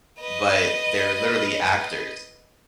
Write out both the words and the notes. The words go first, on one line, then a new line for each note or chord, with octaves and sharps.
but they're literally actors.
B4 D#5